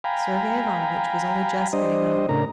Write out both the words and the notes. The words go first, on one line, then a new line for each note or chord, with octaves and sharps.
Sergey Ivanovitch was only just getting up.
F5 G5 G#5 A#5 B5
G3 D4 C5 D#5
A2 C#3 D4 A#4 A#5